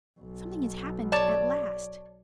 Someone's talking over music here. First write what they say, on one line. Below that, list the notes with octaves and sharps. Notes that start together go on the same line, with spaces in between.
Something has happened at last.
B1
C#5 D5 A5